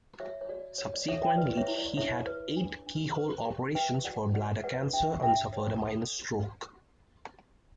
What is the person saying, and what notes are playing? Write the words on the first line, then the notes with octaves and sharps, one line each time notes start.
Subsequently he had eight keyhole operations for bladder cancer and suffered a minor stroke.
F#4 C#5 E5
C#5
F#4 D5
C#5
D5
A4 C#5 E5
E5 G5
B4 D5
C#5 E5
E4
D5
E4 C#5 E5
B4
D4
D4
B4
G4
B4 E5 G5
F#4 D5 F#5
F#4 D5 F#5
E5
B4 D5 F#5
D4 E5 G5
D4 E5 G5
C#5
A4